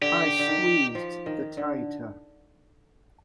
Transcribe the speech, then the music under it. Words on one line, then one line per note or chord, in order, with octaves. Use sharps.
I squeezed the tighter.
D3 G4
D3
D#3
F3
D#3
D3